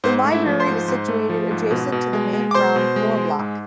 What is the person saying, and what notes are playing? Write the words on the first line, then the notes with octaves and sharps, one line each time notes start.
The library is situated adjacent to the main ground floor block.
G#2 C5
A3
E4 E5
F3
C5 C6
G#2
G#2
A3
F3
G#2
B2
B2
G#3
G#3
D6
B2 C5 C6
B2
G#3
G#3
G#2